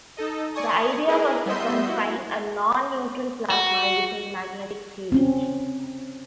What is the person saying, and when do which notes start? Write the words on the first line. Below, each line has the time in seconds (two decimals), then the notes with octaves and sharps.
The idea was to confine a non-neutral plasma using magnetic fields.
0.17 D#4 A4 D#5
0.54 D5 G#5 C#6 D#6
1.07 E4 G#4 A#4 B4 D#5
1.46 G3 B3 D#5 E5 C6 G6
1.86 E4 F#4
3.50 F#4
5.12 C4 C#4